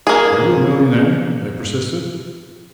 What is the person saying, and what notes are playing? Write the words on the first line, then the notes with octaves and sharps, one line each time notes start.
"Are you a millionaire?" I persisted.
A#3 G#4